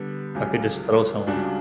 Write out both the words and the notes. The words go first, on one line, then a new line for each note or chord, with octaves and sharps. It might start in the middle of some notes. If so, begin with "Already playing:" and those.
Hulk could just throw someone.
Already playing: D3 G3 B3
C#2 C#3 F#3 C#4 G4
C#2 C#3 G3 D4 F#4